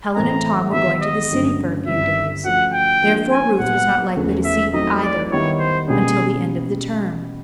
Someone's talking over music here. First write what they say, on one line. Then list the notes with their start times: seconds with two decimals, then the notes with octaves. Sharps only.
Helen and Tom were going to the city for a few days, therefore Ruth was not likely to see either until the end of the term.
0.15 A2 E3 A3 C4 A#5
0.73 D#3 G3 B3 E5
1.02 D#5
1.31 G2 D3 F#3 A3 C#4
1.88 G2 D3 G3 C4 E4 E5
2.44 F3 A3 C#4 F#4 F#5
2.74 G5
3.03 F3 A#3 D4 G4
3.31 G#5
3.59 A#2 F#3 B3 F#5
4.16 E2 C#3 F3 A3
4.45 E5
4.73 F#3 A3 C4 D#4 D#5
5.03 D5
5.31 D#3 G3 B3 E4 C#5
5.59 C5
5.88 B2 G3 A#3 C#4 G#4